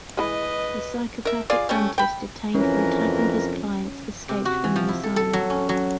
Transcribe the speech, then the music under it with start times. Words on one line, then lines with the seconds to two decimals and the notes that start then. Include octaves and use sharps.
A psychopathic dentist detained for attacking his clients escapes from the asylum.
0.17 E3 G#3 B4 D#5
1.25 A#4 E5
1.50 F4 G#4 D5
1.69 G3 A3 C#4
1.98 G5 B5
2.55 F2 E3 C#4 A#4
4.29 C3
4.45 F#4
4.64 E3
4.76 F3
4.88 E4
5.03 A4
5.16 A4
5.33 F#3
5.50 C#4
5.69 F#3